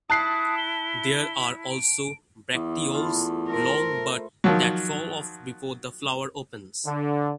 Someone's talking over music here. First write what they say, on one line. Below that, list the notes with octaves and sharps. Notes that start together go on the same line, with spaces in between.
There are also bracteoles long but that fall off before the flower opens.
E4 A5 D#6 F#6 C7
G7
D7
E2
A3 E4 F4
A3 A4 A#4 C5
D#3 F3 F#3
D3